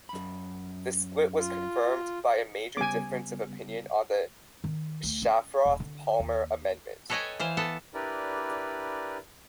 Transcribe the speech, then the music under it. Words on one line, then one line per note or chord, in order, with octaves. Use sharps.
The split was confirmed by a major difference of opinion on the Shafroth-Palmer Amendment.
F#2 B5
F4
C#3 G3 B3 G#5 D6
D#3
D2
C#4
D#1
D3
D#2
A4 B4 C#5 D#5 G5 G#5
E3 C5 F5
B3 A4 A5
D4 E4 G4 A#4 B4 D5